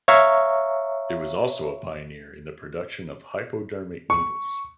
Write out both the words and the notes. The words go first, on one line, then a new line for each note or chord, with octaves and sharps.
It was also a pioneer in the production of hypodermic needles.
C#5 E5 F5 A#5 C#6
C#6